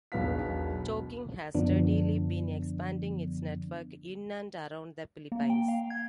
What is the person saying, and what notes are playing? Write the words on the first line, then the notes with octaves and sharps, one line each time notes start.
Chowking has steadily been expanding its network in and around the Philippines.
E1 B1 F#3 B3 F5 B6
F#2 D3 F3 B3 D4
A#3
G5
F5
G#6